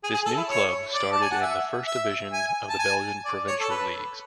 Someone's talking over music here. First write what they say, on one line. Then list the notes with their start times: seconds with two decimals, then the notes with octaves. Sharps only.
This new club started in the first division of the Belgian Provincial leagues.
0.04 G#4
0.14 G#4
0.26 A4
0.37 E4
0.48 C#5
0.94 D5
1.12 A5
1.21 G#5
1.31 F#5
1.41 E5
1.87 E5
2.33 G#5
2.69 A5
2.79 G#5
3.25 D5
3.47 C#5
3.60 A4
3.70 B4